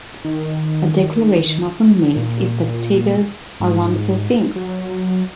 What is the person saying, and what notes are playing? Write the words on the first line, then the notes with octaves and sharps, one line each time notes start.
A declaration often made, is that Tiggers are wonderful things.
D#3
A#2
G#2
F#3